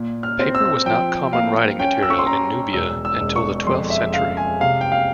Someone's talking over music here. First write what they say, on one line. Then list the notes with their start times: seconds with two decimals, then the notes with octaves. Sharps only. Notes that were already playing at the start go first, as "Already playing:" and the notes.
Paper was not common writing material in Nubia until the twelfth century.
Already playing: A#2
0.23 F6
0.39 C4
0.55 E6
0.86 F3 G5
1.32 A#3 F5
1.79 C#4 G5
2.03 E6
2.10 C#6
2.19 C6
2.26 C#4 A#5
2.73 E1 E6
3.05 E6
3.21 E1
3.36 C#6
3.67 F2 C6
3.90 E5
4.14 C#3 F5
4.37 G#5
4.60 C3 F5
4.81 G5
4.92 F5